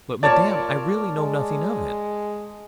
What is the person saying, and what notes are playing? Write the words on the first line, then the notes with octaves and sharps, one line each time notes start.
'But, Madame, I really know nothing of it.
A#2 A#4 C#5 D5 A5
G#3